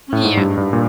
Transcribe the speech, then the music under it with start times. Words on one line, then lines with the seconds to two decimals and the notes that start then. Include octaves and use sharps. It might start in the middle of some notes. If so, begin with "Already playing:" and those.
Mm. Yeah,
0.13 A2
0.25 G#2
0.37 G2
0.57 G2
0.73 A#2